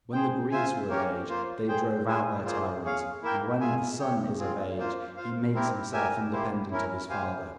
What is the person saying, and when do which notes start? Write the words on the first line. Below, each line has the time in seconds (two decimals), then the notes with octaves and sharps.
When the Greeks were of age, they drove out their tyrants, and, when the son is of age, he makes himself independent of his father.
0.13 G#4 C5 G5
0.51 F4 C5 E5 G#5
0.89 A#3 C#4 G4 A#4 C#5
1.29 A#3 F4 C5
1.68 G#4 C5 G5
2.06 E4 G#4 C5 E5 G#5
2.45 A#3 F4 G#4 C5
2.84 G#4 C#5 F5
3.23 A#3 E4 A#4 E5 G5
3.61 F4 G#4 E5 G#5
4.00 G4 C#5 G5
4.38 C4 F4 G#4
4.78 A#3 F4 C5
5.16 F4 C5 F5
5.54 C4 E4 G4 A#4
5.93 G4 A#4 E5 G#5
6.33 A#3 E4 G4 C5
6.71 C#4 E4 A#4
7.09 G4 C5 F5 G#5